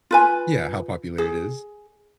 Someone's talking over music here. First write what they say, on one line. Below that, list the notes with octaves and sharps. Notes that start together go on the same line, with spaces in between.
Yeah, how popular it is.
F4 B4 G#5
G#4